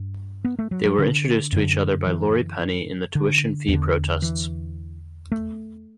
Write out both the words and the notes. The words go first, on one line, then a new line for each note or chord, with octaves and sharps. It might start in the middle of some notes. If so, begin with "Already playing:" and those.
They were introduced to each other by Laurie Penny in the tuition fee protests.
Already playing: G2
B3
A3
F#3
F#3
D3
F#2 D3
E3
D3
E2
D3
E3
A3